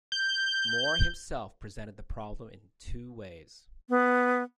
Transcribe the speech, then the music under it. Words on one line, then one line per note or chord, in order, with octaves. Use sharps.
Moore himself presented the problem in two ways.
G6
B3